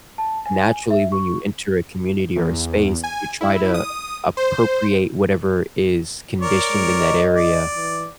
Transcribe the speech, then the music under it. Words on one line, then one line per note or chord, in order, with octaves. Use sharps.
naturally when you enter a community or a space, you try to appropriate whatever is conditioned in that area,
A5
G#5
E5
C#6
E2
G#5
E4
D#6
C5
A#4 C#5 D5
G#3
D#5
D5
E3